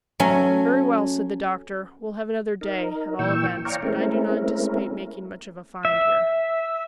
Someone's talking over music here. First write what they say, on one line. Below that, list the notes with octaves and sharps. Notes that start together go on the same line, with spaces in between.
"Very well," said the doctor; "we'll have another day, at all events; but I do not anticipate making much of a find here."
F#3 A3 C#4
D#4 A#4
A#2 E3 G5 C#6 E6
C#5 D5 F5 G5 A#5 C#6
G#3 A3 C4 C#4 E4 A#4
E5